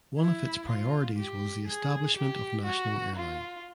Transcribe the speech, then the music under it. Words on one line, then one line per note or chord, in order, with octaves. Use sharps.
One of its priorities was the establishment of national airline.
E4
F4
G4
G#4
G4
F#4
F4